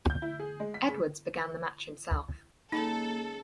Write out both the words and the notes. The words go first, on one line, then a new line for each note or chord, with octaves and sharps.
Edwards began the match himself.
G6
E4
G#4
G#3
B6
C#3
C#3 F#3 G#3 A#3 D#4 A4